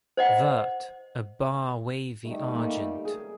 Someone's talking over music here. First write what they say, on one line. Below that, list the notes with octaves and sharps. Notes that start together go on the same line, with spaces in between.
Vert, a Bar wavy Argent.
C5 D#5 F#5
G3 A3 D#4
A#3
G#4